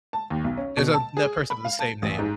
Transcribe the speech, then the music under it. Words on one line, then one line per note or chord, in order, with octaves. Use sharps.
There's another person with the same name.
A5
D#2
B1
C#4
B2
A5
G#4
B5
F5
A5
A1
G#2